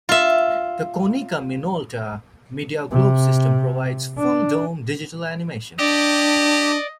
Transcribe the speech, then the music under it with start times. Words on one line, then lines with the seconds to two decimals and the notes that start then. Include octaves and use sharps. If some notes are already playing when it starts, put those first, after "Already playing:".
The Konica Minolta Mediaglobe system provides full-dome digital animation.
0.09 F4 E5
2.91 C3
4.18 D4
5.79 D4 G4 D5 D#5